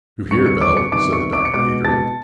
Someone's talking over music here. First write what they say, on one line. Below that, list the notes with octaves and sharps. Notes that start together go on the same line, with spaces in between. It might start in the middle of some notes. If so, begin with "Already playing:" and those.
"You hear, Bell," said the Doctor, eagerly.
G2 D3 G3 B3 C#6 C#7
C#6 C#7
D6 D7
C#6 C#7
C3 D#3 G3 B3 D6 D7
C#6 C#7
D6 D7
C#7
B2 G#3 B3 D6 D7
A5 A6